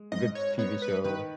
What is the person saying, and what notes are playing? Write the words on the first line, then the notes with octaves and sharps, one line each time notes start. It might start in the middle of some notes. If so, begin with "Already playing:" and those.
a good TV show,
Already playing: G#3
G#2 D#5
C#5
B3 C#5
B4
D#3 B4